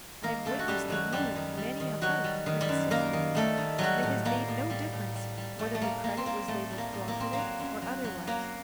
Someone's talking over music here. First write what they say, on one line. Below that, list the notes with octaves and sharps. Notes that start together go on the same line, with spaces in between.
I have witnessed the ruin of many a home through the system, and it has made no difference whether the credit was labelled co-operative or otherwise.
D#3 A#3 A#4
F#2 A3 A4
F#4
F#2 G3 G4
D#3 F#3 F#4
F#2 G3 G4
D#3
G3
D#3
D#3 F#3 F#4
G3
D#3
G3 G4
F#2
D#3 A#3 A#4
D#3
G3 A3 A4
D#3
F#3 G3 F#4
A2
G3 A#3
A2
G3
A2
G3
G3
A2 A3
A3
G3 A#3
G3 A#3
C4
G3 A#3
A2 A3
G3
A#3
A2
A#3
G3 C4
F#3 A#3
F#2
F#3
F#3
F#3 A#3